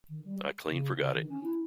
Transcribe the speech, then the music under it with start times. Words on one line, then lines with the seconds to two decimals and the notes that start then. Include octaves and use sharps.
I clean forgot it.
0.08 D#3
0.24 G3
0.69 C#3
0.99 C#3
1.13 D#3
1.29 C#4
1.43 E4